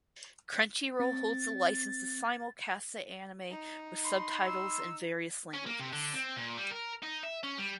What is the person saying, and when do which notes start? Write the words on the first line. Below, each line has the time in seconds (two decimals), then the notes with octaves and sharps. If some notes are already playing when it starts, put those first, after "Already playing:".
Crunchyroll holds the license to simulcast the anime with subtitles in various languages.
1.00 C4 A6
3.49 D#4
4.04 B5 C6
4.46 E6
5.54 C#4
5.66 A#3
5.80 C3
5.93 D3
6.14 C4
6.36 A#2
6.57 G3
6.71 A#4
7.03 D#4
7.23 E5
7.43 C#4
7.58 G3